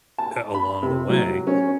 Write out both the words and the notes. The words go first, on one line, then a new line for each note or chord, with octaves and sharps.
uh, along the way
A5
B5
C3
F#3
C#4